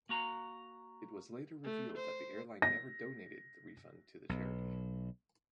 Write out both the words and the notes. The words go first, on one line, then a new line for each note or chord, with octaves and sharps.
It was later revealed that the airline never donated the refund to the charity.
A#3 F#4 A#5
A3
C5
A#6
B1